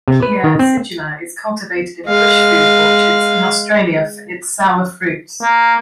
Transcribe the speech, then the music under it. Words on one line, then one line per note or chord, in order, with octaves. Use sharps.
Acronychia acidula is cultivated in bush food orchards in Australia for its sour fruits.
C3
B4
D#3
C4
G#3 F5
A#3